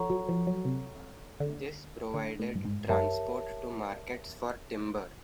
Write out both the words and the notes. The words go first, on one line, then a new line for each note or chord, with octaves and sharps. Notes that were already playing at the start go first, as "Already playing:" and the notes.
This provided transport to markets for timber.
Already playing: F3 A4 C#5 F#5 A#5 C#6
F#3
F3
F#3
C3
D3
D3
A2
G2
G#2
F#2 G4 A#4 C#5 E5 A5